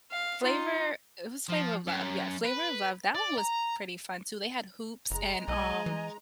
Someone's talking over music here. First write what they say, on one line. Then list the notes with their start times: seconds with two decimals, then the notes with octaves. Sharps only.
Flavor it was Flavor of Love, yeah, Flavor of Love, that one was pretty fun, too. They had Hoops, and, um,
0.11 F5
0.44 D#4 F4
1.50 F3
1.87 F#2
2.45 B4
3.15 D5
3.38 A#5
5.11 F#1 G#3 A#5
5.48 B1 D#5 G#5
5.86 E3